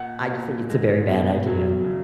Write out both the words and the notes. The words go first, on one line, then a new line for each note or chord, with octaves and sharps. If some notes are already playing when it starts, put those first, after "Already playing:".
I just think it's a very bad idea.
Already playing: A#2 F#5
A#2
G#3
B2
F#3
C#3